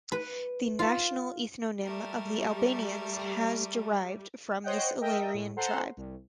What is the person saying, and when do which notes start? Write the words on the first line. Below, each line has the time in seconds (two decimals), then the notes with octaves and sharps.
The national ethnonym of the Albanians has derived from this illyrian tribe.
0.12 B4
0.79 F4
1.82 G3 A3 A#4
4.64 C5 C#5 D#5 F#5 G5
5.01 A#4 D#5 E5 G5
5.34 A2
5.56 A4 C5 F#5 A#5 C6
5.97 C2